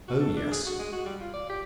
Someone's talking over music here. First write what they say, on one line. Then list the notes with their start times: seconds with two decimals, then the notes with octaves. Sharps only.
Oh, yes!
0.08 F#4
0.20 A4
0.36 D4
0.51 G#4
0.67 F#4
0.79 G#3
0.92 F#4
1.06 G3
1.21 F4
1.33 D5
1.49 G4